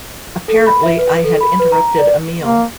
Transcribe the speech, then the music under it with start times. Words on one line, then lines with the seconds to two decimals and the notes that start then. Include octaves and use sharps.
Apparently I had interrupted a meal.
0.48 A4
0.67 B5
0.83 E5
0.99 B4
1.24 A4
1.40 B5
1.60 B4
1.72 A#5
1.99 D5
2.44 A#3